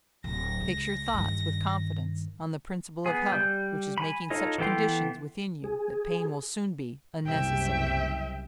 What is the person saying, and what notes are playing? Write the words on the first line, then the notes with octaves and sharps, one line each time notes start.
Fix your thoughts, with confidence, on the Principle of Health which is making such conditions within you that pain will soon be unnecessary.
D1 A#6
C#2
G2 D#3
B3 G#4
G3 G6
G#5 B5
D#4 F4 A4 C#5 D#5
E3 B3 A4 G5 C6
G#4
F#1 C2 E5 G5